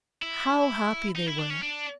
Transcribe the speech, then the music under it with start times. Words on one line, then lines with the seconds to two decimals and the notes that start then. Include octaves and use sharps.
How happy they were!
0.22 E4
1.15 D#4
1.26 E4
1.38 D4
1.50 C#4
1.62 D4